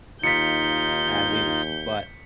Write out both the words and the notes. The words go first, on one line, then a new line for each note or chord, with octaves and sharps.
At least, but,
D#2 D#4 F4 G6 B6 C#7